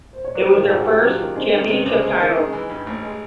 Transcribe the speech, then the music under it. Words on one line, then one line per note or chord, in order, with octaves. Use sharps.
It was their first championship title.
C5
C#5
F#3 C5 D5
D#3
F4 G4
G#2 F#4 G#4
A#1 F4 G4
F#3
F4 G4
D#3
G#3 C4 D4
D#3 C4 D4
C3 B3 C#4
C#2 C4 D4
G#3
D#3
G#3 C#4 D#4
E3
G2
A1
G#3